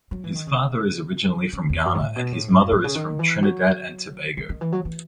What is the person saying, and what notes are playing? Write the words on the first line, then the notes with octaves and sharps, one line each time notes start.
His father is originally from Ghana and his mother is from Trinidad and Tobago.
F#3
E3
D#3
C#3
C#3
E2
F#2
G#2
A2
B2
A2
G#2
F#2
A2
C#3
D#3
E3
F#3
E3
D#3
E3
F#3
E3